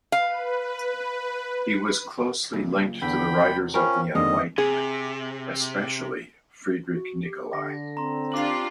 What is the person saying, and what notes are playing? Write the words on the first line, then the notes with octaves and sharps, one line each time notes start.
He was closely linked to the writers of the enlightenment, especially Friedrich Nicolai.
B4 F5
C#2 F#2 A#2
E2 D3 G5 B5
C3
C#4 F4 A#4 C5 G5 B5
F2 D3 D#3 G3 G#3 A#3 D#5
C3 G#4
F#4
G4
D3 A#6
C4 A#5 C6
D4 F4 G4 D6 F#7